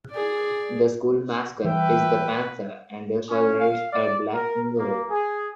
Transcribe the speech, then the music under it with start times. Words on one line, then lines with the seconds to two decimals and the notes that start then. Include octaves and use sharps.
The school mascot is the Panther and the colors are black and gold.
0.11 G#4 D5
1.64 E3 G3 B4 E5 G5
3.28 C#4
3.60 F5
3.92 D5
4.32 A#4
4.77 A#3
5.09 G#4